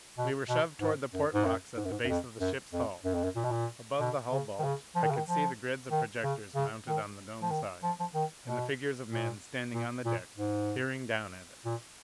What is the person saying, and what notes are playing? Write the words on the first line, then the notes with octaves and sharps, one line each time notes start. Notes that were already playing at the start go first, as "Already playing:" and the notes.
We were shoved toward the port locks at the base of the ship's hull. Above the hull bulge I could see the grids of projectors mounted on the dome side, and the figures of men standing on the deck, peering down at us.
B2
B2
G#2
F#2
G#2
F#2
G#2
F#2
G#2
F#2
F2
F#2
F2
F#2
F2
F#2
A#2
B2
A#2
B2
C#3
D#3
C#3
F3
D#3
C#3
D#3
F3
D#3
C#3
C#3
D#3
F3
D#3
F3
F3
D#3
B2
A#2
A#2
A#2
G#2
A#2